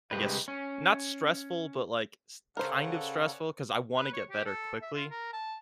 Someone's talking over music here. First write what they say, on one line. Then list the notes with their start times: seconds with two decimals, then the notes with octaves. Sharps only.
I guess, not stressful, but, like, s kind of stressful 'cause I wanna get better quickly
0.11 C2 F2 G#3 G4 B4
0.48 C#4
2.57 C#3 C#4 A4 A#4 C5 D5 F#5
3.97 B4
4.13 C#5
4.30 G4
4.46 A4
4.82 E5
4.95 F4
5.11 A#4
5.33 A5